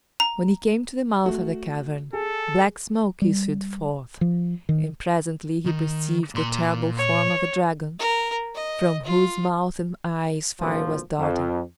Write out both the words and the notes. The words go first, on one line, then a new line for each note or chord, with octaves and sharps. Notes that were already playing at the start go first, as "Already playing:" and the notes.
When he came to the mouth of the cavern, black smoke issued forth; and presently he perceived the terrible form of a dragon, from whose mouth and eyes fire was darting.
A#5
A3 F#4
G#4 A4
G3
F3
D#3
D#3
A#2 C6
C#5
A#4
D#5
F4
G#1 E2 A#2 D3 F3 F#3
F2